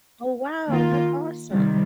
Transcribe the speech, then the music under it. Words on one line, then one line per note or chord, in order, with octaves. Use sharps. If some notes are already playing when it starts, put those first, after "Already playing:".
Oh wow, that's awesome.
D#3 A#3 F4
C3 D#3 G3